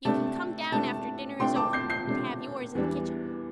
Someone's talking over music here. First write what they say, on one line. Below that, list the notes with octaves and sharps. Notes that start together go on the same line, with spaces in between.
"You can come down after dinner is over and have yours in the kitchen."
C3 A3 D4 A5
C3 A3 D4 A5
C3 A3 D4 G5 C6
A5 D6
G6 C7
G6 C7
C3 A3 D4
E2 E3 G3 D4